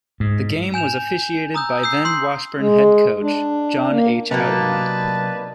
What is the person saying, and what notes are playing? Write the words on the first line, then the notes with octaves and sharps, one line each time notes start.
The game was officiated by then Washburn head coach John H. Outland.
G#2
G#5 G6 E7 F7
A#5 D#6 E6 G6
E6 G6 C7
C6 E6 G6 C7
G#3
D4
A#3
C3 F#3 A#3 B3 D4 D#4 B4 A5